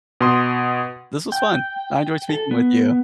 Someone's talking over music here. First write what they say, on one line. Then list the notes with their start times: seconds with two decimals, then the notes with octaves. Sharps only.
this was fun. I enjoyed speaking with you.
0.21 B2 C6 D#6
1.32 G5
2.29 A4
2.51 B3